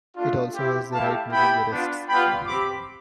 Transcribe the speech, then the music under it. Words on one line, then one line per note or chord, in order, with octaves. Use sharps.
It also has the right making arrests.
A3 D4 F4
C4 E4 G4
A3 E4 G4 F5 A5
B3 E4 G4 G5 B5
B3 D4 F4
G3 B3 F4 G5 B5
C4 G4 B5 D6